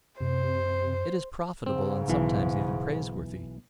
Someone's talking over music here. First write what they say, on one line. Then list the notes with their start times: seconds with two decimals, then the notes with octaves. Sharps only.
It is profitable and sometimes even praiseworthy.
0.20 F#2 C3 C5
1.66 G#2 C#3 C4
2.08 B1 E3